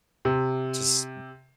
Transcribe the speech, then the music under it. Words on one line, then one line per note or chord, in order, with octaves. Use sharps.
to s
C3